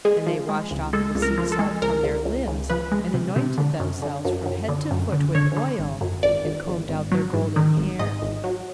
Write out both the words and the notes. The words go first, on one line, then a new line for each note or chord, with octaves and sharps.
And they washed off the sea salt from their limbs, and anointed themselves from head to foot with oil, and combed out their golden hair.
G#3 G#4
F3
G#3
C#2
G#3 A4
C#2
A#4
F3
A4
G#3
C#2 A#4
C#2
C#2
C#2
F3 B4
G#3
C3
C3
D3
F#2
D3
F#2
F#2
D3
F#2
D3
D3 C#5
D3
G#1
F#2
G#1 D5
G#1
G#1
G#1
F#3
G#2
D#3
G#1
G#2 D#5
G#1
F#3